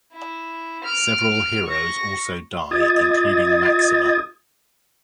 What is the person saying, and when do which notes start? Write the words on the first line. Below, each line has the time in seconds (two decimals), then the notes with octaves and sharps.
Several heroes also die including Maxima.
0.13 E4
0.83 F6 D7
1.66 C#6 A#6
2.71 F4 D#5 D#6 G#6 A6